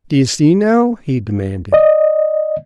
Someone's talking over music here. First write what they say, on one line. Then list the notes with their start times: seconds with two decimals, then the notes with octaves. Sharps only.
"D'ye see, now!" he demanded.
1.73 D5 D#5